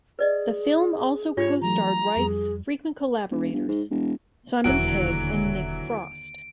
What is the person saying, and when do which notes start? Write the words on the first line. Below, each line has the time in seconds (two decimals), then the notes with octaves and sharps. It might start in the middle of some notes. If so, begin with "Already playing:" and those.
The film also co-starred Wright's frequent collaborators Simon Pegg and Nick Frost.
0.19 G#4 B4 D5 D#5
1.37 G#2 D4 F4 G4 C#5
1.62 E3 F#3 A3 A#5
2.16 F2 G3 G#4
3.31 E1
3.53 G1
3.68 G#2
3.90 E1
4.64 E1 D#2 D3 E3 F#3 E4 F#4 D7